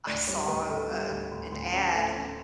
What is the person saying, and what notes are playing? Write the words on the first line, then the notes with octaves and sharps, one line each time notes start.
I saw, uh, an ad
D2 D5
G3 C#5
D2 B4
D2 A4
G3
D2
D2
D2
C#4
A3
C#4